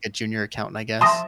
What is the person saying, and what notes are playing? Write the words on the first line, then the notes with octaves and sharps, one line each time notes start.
a junior accountant, I guess,
F3 E5 A5 C6 D#6 A#6